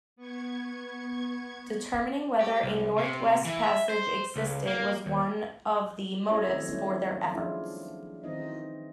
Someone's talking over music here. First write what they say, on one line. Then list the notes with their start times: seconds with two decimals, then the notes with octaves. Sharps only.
Determining whether a Northwest Passage existed was one of the motives for their efforts.
0.16 B3 C#6 G#6
2.41 G4
2.63 C2
2.98 C3
3.45 E3
3.63 E5
3.89 C5
4.36 C#2
4.67 A#3
5.06 D#2
6.28 C#4 E4 G4 A4 C#5 D#5
6.47 D#3 F#3 A3 C4
6.69 F#3 G3 A3 B3 C#4 E4
7.33 F3 G#3 C#4 D4 E4 F4
8.23 D#3 E3 C4 D#4 D#5